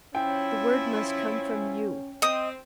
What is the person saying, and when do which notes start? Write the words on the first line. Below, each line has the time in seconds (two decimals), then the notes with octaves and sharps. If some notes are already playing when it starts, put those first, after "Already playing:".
The word must come from you.
0.15 F3 C#4 E4 G5
2.22 C4 D#5 D#6